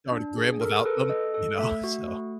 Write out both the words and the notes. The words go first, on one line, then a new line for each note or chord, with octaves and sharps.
darn grim without them, you know? So
D4
G#4
A4 A#4
A4 B4
A4 D#5
A4
A3 E5
F#4
A3